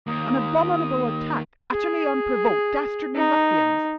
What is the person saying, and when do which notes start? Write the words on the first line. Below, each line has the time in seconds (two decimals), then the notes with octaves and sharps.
"An abominable attack ... utterly unprovoked ... dastardly ruffians!"
0.07 D#2 D#6
1.72 G#4
3.15 D#4